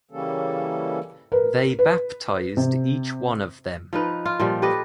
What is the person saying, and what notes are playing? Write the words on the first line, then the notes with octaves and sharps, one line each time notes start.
They baptized each one of them.
C#3 E3 G3 A#3 C#4 A4
A#4 B4
B4
C3
F3 D#4 B4
F4
A#2 F3 G3
G4 A4 B4 D#5